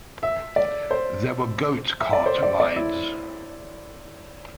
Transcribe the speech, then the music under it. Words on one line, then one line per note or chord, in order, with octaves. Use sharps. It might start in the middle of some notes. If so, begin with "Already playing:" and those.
There were goat cart rides.
E5
D5
C5
E5
D5
C5
D5
D5
E4